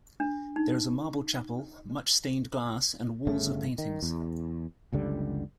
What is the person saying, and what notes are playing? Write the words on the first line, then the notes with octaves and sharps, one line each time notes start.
There is a marble chapel, much stained glass and walls of paintings.
D4
D#4
G1 C#3 A3
D#3
E2
F#1 C#2 D3 G3